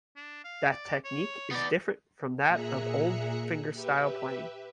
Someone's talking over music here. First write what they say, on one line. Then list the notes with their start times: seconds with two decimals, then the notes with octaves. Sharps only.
The technique is different from that of old fingerstyle playing.
0.16 D4
0.44 F5
0.71 D5
1.05 C#5
1.51 B3 D#4 D5
2.48 A#2 G#4 E5 A#5 F#6 C#7
3.73 G4 B4 E5